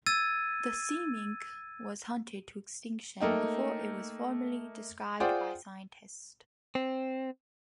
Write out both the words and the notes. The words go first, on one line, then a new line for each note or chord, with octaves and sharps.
The sea mink was hunted to extinction before it was formally described by scientists.
E6 G#6 A6 D#7
A3 A#3 D#4 G5
F4 G#4 C5 D5 F#5 G5
C4